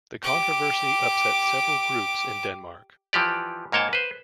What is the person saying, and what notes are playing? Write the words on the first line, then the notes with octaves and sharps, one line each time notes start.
The controversy upset several groups in Denmark.
G4 D6
E3 F3 G4 D5
G#2 A#3 C#5 G5 A5
B4 C5